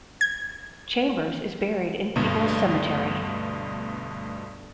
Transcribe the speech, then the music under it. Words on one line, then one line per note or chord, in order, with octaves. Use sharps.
Chambers is buried in Peebles Cemetery.
G#6
D2 G2 B2